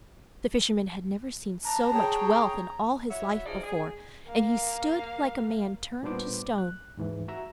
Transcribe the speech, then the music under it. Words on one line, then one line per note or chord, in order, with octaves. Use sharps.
The fisherman had never seen so much wealth in all his life before, and he stood like a man turned to stone.
A5 A#5
G#4 C#5 G5
E4 F#4 C#5 E5
F3 G#3 D#4 G#4 D5
G#4
A#3 F5
A#2 G3 B3 D4 C5 D6
F#6
D#2 G#2 E3
F#4 E5 A#5 E6